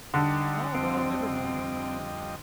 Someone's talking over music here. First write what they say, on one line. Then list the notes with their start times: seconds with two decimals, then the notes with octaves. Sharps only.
Ah, well, never mind.
0.14 D3 G3 D4 D#4
0.75 F2 G3 C4 D#5